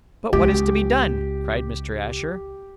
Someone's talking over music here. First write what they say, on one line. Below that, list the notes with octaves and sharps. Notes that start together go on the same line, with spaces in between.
"But what is to be done?" cried Mr. Asher.
C#2 G4